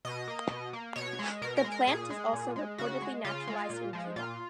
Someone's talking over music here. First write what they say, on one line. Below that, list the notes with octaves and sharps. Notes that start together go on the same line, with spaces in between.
The plant is also reportedly naturalized in Cuba.
B2 D#5
A#3
B2
A#3
B2 C#5
G#3
B2 A#4
A#4
G#3
A#4
A#2 G#4
G#3
A#2
G#3
C#3 F#4
G#3
C#3 F4
G#3
A#2
F3 G#3
A#2 F4